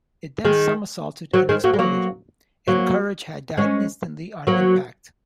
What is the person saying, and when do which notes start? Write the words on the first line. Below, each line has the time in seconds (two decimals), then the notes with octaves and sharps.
It then somersaulted and exploded, and Courage had died instantly on impact.
0.45 D#3 G#3
1.34 F#3 A#3
1.49 D#3 G#3
1.64 F#3 A#3
1.74 G#3
1.79 F#3 A#3
2.68 F#3 A#3
3.57 G#3 C#4
4.47 F#3 A#3